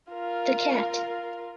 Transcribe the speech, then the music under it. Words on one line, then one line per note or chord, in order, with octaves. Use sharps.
The Cat.
F4 A#4